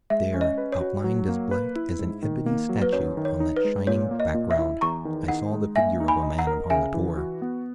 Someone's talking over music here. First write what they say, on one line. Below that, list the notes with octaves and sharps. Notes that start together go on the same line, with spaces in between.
There, outlined as black as an ebony statue on that shining background, I saw the figure of a man upon the tor.
G#3 E5
C#4
D#5
B4
C#5
F#4
F#3
A#3
B4
E4
G#2
D#3
A#3
F#3
B4
F#2 C#5
D#3
C#5
D#4
B4
G#3
A#2 C#5
A#3
D#5
A#2
E5
E4
E2 A#5 C#6
D#3
D#4 F#5
G#3
A#3 E5 G#5
D#4
G#5 B5
D#5
F#5 A#5
A#4
C#3 E5 G#5
E3
F#4
B3